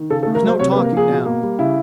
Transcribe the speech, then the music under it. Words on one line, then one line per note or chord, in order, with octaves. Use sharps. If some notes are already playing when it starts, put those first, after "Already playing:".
There was no talking now.
Already playing: D#3
C#3 A4
A4
A3
A#4
F#3 C5
C3 C#5
B4
A#3
A#4
F3 G#4
B2
A#3
G3
C#3 E4